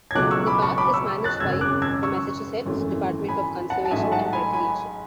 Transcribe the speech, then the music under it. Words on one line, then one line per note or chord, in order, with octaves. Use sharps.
The park is managed by the Massachusetts Department of Conservation and Recreation.
G#6
C#2 B2 F#3 A3 D6 F#6
C#6 E6
B5 D6
A5 C#6
B5 D6
C#6 E6
F#6 A6
G#1 F#2 C#3 E6 G#6
D6 F#6
E6 G#6
C#6 E6
G#1 F#2 E3 A3
G#5 B5
F#5 A5
A5
A1 G#2 F#3 A3 E5 G#5
F#5 A5
G#5 B5
G#5 B5